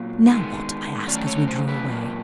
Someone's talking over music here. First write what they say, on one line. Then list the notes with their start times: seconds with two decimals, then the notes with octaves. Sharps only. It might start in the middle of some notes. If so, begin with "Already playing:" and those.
"Now what?" I asked, as we drew away.
Already playing: A#2 F#3 A#3
0.26 D#3 G#3 B3
1.07 D#3 F#3 A3 C#4 D5
1.27 C#5
1.48 C5
1.68 B4
1.88 A#2 F#3 A#3